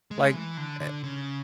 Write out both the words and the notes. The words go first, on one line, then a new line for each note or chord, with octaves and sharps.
like, a
G#3
A3
G#3
E3
D3
D3
C#3